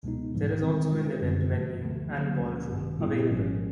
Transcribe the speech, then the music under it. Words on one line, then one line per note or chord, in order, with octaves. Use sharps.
There is also an event venue and ballroom available.
C#2 B2 G#3 B3 D#4
A#1 G#2 E3 G3
D#3 G#3 C4
B2 G#3 C#4 F4
G1 F#2 D3 G3 C4
G2 E3 A3
D2 D3 F3 A3
D3 F#3 A#3
D2 C#3 F3 G#3 C#4
A1 G2 D#3
A#2 G3 B3 E4
G#1 G#2 F3 G#3 C#4